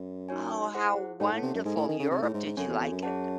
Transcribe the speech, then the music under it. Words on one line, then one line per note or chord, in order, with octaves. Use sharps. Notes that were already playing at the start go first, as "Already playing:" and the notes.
Oh, how wonderful. Europe, did you like it?
Already playing: F#2
D#4 F#4 C#5 G#5
E4 G#4 C5 F#5
G#2 D#4 A4 C#5 F#5 A5
A2
C3
F#2
G#2 D#4 A4 D#5 G#5
A2
D#3
C#3
C3 D#4 G#4 C#5 E5
A2
G#2
G#2
F#2 C4 F#4 A4 C#5 G#5
E2
E2
F#2
G#4 C#5 F#5 A5